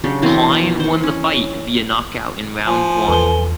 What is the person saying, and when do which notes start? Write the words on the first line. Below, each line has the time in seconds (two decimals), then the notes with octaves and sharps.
Klein won the fight via knockout in round one.
0.04 C#3 F#3 D4 G4
0.22 B2 E3 A#3 C4
0.80 C5 C#6
1.03 C#4
2.66 F3 G#5
3.08 E2 A4 B4 G7